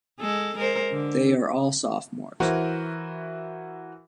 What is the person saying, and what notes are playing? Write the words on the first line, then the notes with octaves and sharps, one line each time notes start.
They are all 'sophomores.
G#3 A4
G#3 A#4 C5
D3
E3 E4 F#4 A#4 C5